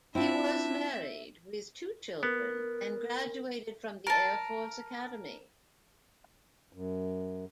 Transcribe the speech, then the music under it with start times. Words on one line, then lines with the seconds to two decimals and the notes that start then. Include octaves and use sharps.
He was married with two children and graduated from the Air Force Academy.
0.15 C4 D4 E4 F4 E5
2.23 B3 A#4
4.07 A#4 A5
6.73 F#2